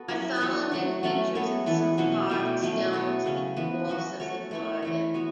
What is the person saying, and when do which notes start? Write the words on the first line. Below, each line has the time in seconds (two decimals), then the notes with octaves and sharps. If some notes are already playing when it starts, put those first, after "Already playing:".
Bartholomew features in some carved stones in the walls of the garden.
Already playing: B3 F#4 A4
0.08 F#3 C#4 E4
0.40 B3 F#4 A4 C#5
0.72 F#3 A3 F#4 C#5
1.03 F#3 A3 C#4 A4
1.35 B3 A4 C#5
1.66 E3 B3 E4 A4
1.98 B2 F#3 C#4 F#4
2.30 B2 A3 E4
2.61 B2 F#3 A3 C#4
2.93 B3 A4 C#5
3.24 C#3 F#3 C#4
3.56 E3 B3 F#4 B4
3.88 F#3 C#4 F#4
4.20 A3 F#4 A4 C#5
4.51 A3 E4 C#5
4.82 E3 A3 E4
5.14 B3 F#4 C#5